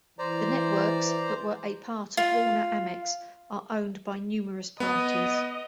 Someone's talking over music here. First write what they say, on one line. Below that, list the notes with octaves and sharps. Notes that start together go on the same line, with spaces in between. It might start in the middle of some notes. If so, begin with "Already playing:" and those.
The networks that were a part of Warner-Amex are owned by numerous parties.
E3 C5 D5 A#5
F4
B3 D#5